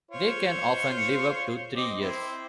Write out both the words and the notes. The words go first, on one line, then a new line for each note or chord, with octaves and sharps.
They can often live up to three years.
F4 C5 C#5
C4 D#5 D6
C4 E4